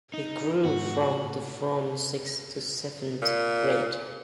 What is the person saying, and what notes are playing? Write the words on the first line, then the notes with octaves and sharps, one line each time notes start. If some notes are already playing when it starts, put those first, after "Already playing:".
He grew from to from sixth to seventh grade.
D#4
G#2 D#3 B3 F#4
A2 F#5
A#2